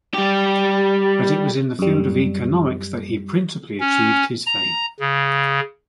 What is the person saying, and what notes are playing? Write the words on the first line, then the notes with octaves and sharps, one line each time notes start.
But it was in the field of economics that he principally achieved his fame.
G3 G4
F#2 G3
C#4
A#5
C#3